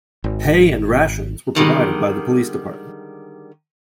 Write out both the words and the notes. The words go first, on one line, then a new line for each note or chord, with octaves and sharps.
Pay and rations were provided by the police department.
G#1
D3 D#3 G3 G#3